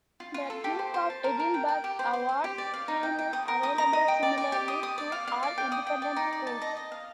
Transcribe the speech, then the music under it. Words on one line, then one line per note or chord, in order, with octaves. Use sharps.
The Duke of Edinburgh Award scheme is available similarly to all independent schools.
F4
F4
A4
G4
C5
C5
A5
A#4
A#4
G5
G5
G4
C5
C5
C5
G4
D5
F5
D#4
G5
G5
D#6
A#4
D#6
A#5
D#5
G5
D5
D5
G4
D#6
D#6
D5
F5
F5
D5
G5
D#6
G5
D5
D#4
D5
A5
D#5
D#5
F5